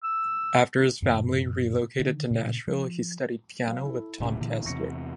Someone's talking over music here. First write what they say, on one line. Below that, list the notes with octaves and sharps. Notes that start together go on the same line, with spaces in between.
After his family relocated to Nashville he studied piano with Tom Koester.
E6
F#2 A#2 C#3 F3
D3 D#3
A#2 C#3
F3
F#3 F5
E4 A4
D1 A#1 C#3
A#2 D3 E3
E2 C3 C#6 A#6 C#7